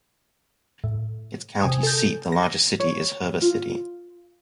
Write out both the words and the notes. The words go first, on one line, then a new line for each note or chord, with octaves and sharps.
Its county seat and largest city is Heber City.
A2
C3 G#5 D#6
A4 G6
A#6
C#5
F4